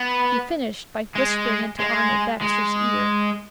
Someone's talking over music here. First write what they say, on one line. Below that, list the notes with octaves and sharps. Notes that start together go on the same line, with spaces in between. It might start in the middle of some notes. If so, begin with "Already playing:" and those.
He finished by whispering into Arnold Baxter's ear.
Already playing: B3
G#3
G#3
G#3